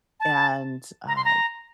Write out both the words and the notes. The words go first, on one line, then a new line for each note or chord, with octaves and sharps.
and, uh
A5
A#5
C6
A#5